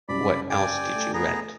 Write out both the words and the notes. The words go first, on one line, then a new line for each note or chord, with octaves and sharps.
What else did you rent?
F#1 C2 D5 B5
D5 G5 G#5
A3
B3 G#4 A#5